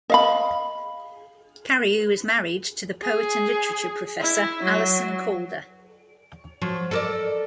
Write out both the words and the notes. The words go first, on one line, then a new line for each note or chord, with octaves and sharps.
Cariou is married to the poet and literature professor Alison Calder.
D#5 F5 B5
G#4
E4
F#3
F3 F#3
A4 A#4 D5